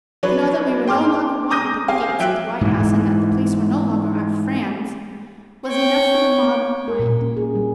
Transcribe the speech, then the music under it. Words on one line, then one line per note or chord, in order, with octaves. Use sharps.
To know that we were no longer wanted at the gates of the White House and that the police were no longer our "friends" was enough for the mob mind.
F#3 D4 B4 C#5
G#4 G5 C6 D6 F6
A#5 D6 D#6 G6 A#6 D#7
C4 G4 F5 G#5
F#3 E5 G5 F#6 D7
G#2 E3
C#5 G5 C#6
A#4
A#2
C#4
G#4
G3